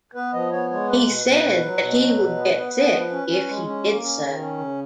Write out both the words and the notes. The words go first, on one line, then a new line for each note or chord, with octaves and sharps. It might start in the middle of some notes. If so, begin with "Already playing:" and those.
He said that he would get sick if he did so.
B3 B4
F3 D#5
B3 C#5
G#3 C#5
A#3 B4
B2
B2
B2
F#3
B2
F#3
B2
B3
B3
B3
F3
C#4
C#4
G#3
C#4
A#3
C#4
D#3
C#4
C#3